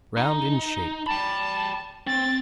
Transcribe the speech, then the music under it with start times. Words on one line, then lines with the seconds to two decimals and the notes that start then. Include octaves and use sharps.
Round in shape.
0.17 D#4
1.07 G5 A5 B5
2.07 C4 A6